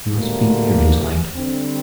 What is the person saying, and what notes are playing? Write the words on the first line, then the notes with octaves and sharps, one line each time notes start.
He must be near his light.
D2 D3 A#3 G4
D3 G3 C4